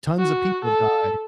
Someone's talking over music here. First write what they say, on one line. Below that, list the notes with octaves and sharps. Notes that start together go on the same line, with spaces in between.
tons of people die.
F#4
A4